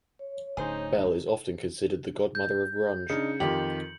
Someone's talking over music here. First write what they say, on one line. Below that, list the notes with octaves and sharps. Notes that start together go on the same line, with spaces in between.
Bell is often considered the "Godmother of Grunge".
C#5
D1 D2 A2 C#4 D#4 G#4 C5
G6
C#3 D4 D#4 C#7
F2 D#3 F4 G4 F#7